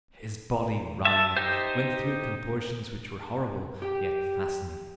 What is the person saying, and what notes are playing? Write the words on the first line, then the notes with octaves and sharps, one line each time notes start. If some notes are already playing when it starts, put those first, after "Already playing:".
His body writhed, went through contortions which were horrible yet fascinating.
E5 A5
D#4 G4 C5
G4 G5